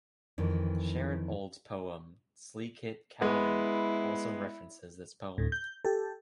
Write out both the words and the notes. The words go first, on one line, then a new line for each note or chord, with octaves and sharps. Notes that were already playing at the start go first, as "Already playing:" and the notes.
Sharon Olds's poem "Sleekit Cowrin'" also references this poem.
F2 D#3 E3
G#3 B3 E4
D2 A2
G6
G4 A4